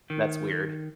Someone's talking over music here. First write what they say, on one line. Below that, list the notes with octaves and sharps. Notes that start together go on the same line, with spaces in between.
That's weird.
D#3